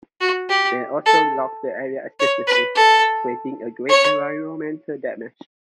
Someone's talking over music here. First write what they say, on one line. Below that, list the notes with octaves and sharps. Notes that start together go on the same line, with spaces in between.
They also logged the area extensively, creating great environmental damage.
F#4
G4
A4
C#5
B4
A4
C#5